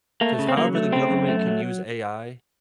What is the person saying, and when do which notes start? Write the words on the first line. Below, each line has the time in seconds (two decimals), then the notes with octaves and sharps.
'Cause however the government can use AI,
0.21 A3 A#3
0.39 C#3
0.49 C4
0.57 F#3 A#3
0.75 A3
0.92 C#3 C4
1.10 F#2
1.28 A3
1.46 F#3